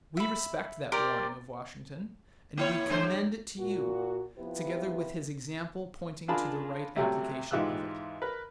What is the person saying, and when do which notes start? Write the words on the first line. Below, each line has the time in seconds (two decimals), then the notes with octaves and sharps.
We respect that warning of Washington, and we commend it to you, together with his example pointing to the right application of it.
0.17 E5 B5
0.92 G4 A#4 C5 D5
2.57 A#3 E4 C#5
2.90 D3 A3 C5
3.02 G2
3.58 A#2 F#4
4.37 C3 F3 B3 E4 G4 B4
6.28 D4 F4 G#4 A#4 A5 B5
6.96 C3 F#3 G3 A3
7.51 G#2 E3 F4 G4 E6 F#6
8.22 A#4 B4